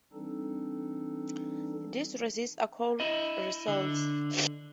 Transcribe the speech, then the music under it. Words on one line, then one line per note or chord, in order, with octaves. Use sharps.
These resins are called resoles.
E3 G3 C4 D4 D#4 A4
E4 D#5
D3